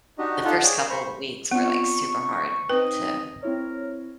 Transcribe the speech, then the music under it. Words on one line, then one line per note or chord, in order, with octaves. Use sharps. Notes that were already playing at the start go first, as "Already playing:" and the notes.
The first couple weeks were, like, super hard to
D4 D#4 F#4 G4 D#5
D#4 F4 G4 A4 F#5
G#4 C#5 D5 G5
A#4 F5
C5 B5 C#6
B3 C4 D4 F4 C#6
C4 D#4 B4 D#5 G5
C4 E4 A#4 C#5